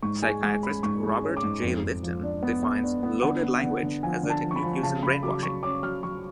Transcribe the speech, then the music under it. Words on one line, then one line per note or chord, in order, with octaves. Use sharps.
Psychiatrist Robert Jay Lifton defines "loaded language" as a technique used in brainwashing.
G#2 C#6
G#3 G#5
G#3 G#5
C#4 B5
G#2 C#6
G#3
C#6
C#4
D6
G#2
F2
F2
F3
D4
B3
B3
D4
B3
D3 F#5
B3
D3
D3
F3 G#5
D3
A5
F3
C#6
B5
F3
C#3 A5
C#3 B5
F#3 D6
F#3 C#6
C#4 D6
F#3 F6
F#3 C#6